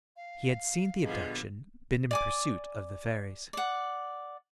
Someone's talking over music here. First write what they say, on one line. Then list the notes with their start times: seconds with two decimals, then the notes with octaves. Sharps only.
He had seen the abduction been in pursuit of the fairies.
0.16 F5
1.04 F2 A#2 D3 G3 G#3 B3 F4
2.11 D5 G#5 D6
3.53 D5 F#5